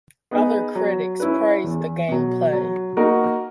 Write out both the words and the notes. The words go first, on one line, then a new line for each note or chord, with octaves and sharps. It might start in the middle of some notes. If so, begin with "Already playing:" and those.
Other critics praised the gameplay.
B3 D#4 G#4 B4
F#3
C#4 E4 B4
E2
B2 F#3
F#3
A#3 D#4 F#4 A#4